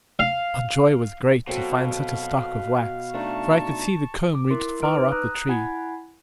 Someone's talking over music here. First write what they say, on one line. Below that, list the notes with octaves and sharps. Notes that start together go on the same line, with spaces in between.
Our joy was great to find such a stock of wax, for I could see the comb reached far up the tree.
F5
B2 F#3 C4 A4 F5
A3 D4 D#4 A5 C#6
D6
E4 A#4 C6
D#4 B4 D6 E6 F6 D7
A#5 D#6 F#6
E4 F#5 G#5 B5 G#6